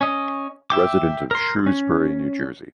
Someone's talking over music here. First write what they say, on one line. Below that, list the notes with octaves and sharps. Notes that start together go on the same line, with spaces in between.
Resident of Shrewsbury, New Jersey.
C#4 D#5
E5 G5 D6
A#4 C6
C#4